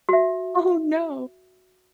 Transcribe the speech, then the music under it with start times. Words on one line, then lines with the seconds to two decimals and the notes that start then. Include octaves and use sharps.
Oh, no.
0.09 F#4 E5